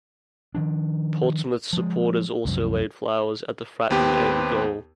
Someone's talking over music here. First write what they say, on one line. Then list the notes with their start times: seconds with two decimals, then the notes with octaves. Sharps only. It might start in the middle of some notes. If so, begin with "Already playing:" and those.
Portsmouth supporters also laid flowers at the Fratton End goal.
0.55 D#3 F3 D4
1.73 F3 G#3
2.45 C2 F#2 F3
3.90 D#2 B3 C4 G4 B4